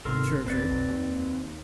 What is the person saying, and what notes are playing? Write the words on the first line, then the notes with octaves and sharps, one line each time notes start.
Sure, sure.
G1 G#2 C3 D#3 A4 A#4 C6
F2 C4 B4 D5
B1
D#2